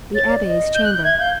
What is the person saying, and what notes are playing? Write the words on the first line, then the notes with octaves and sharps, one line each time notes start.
The Abbe's Chamber.
C#5 A6
D5
D#5
G6
F#6
G6
E5 G#6
F5 G6